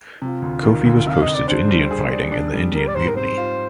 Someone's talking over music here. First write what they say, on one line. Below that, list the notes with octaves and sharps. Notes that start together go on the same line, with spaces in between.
Coffey was posted to Indian fighting in the Indian Mutiny.
C3 F4
D2
D#3
D2
C3 F5
D#5
D2
D5
D4 C5
G3
G#4
D5
D4
G3
G3 A#4
D5
G#2 C5
A#4
C4 C5
F4